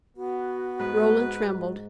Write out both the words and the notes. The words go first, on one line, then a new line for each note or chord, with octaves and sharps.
Rollin trembled.
B3 F#4
G#2 B4